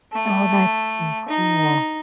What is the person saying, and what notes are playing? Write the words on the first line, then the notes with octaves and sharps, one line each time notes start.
Oh, that's so cool.
A3
D#4